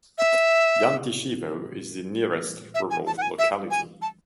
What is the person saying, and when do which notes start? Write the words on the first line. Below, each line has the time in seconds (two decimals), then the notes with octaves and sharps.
Yantyshevo is the nearest rural locality.
0.18 E5
2.74 E5
2.91 G#5
3.07 A5
3.18 F#5
3.22 G#5
3.39 E5
3.71 G#5
4.02 A5